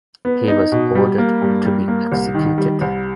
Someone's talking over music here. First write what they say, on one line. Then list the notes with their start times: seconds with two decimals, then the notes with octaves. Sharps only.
He was ordered to be executed.
0.25 B3
0.48 D#4
0.72 B2
0.95 G3
1.18 A#3
1.42 G2
1.65 G3
1.88 A#3
2.12 C2
2.34 D#3
2.58 G3
2.81 C2